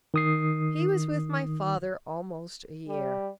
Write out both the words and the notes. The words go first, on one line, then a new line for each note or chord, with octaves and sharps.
He was with my father almost a year.
D#3 D#6 C7
G3